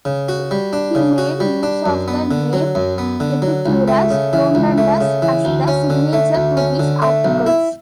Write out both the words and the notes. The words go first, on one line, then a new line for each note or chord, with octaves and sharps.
He made use of the name "Epicurus Rotundus" as the signature to his articles.
C#3
F#4
G3
D4
C#3
F#4
G3
D4
F#2
B3
D3
F#3
F#2
B3
D3
F#3
C#2
A3
C#3
E3
C#2
A3
C#3
E3
D2
C#4
D3
A3
D2
C#4
D3
A3
B1
E4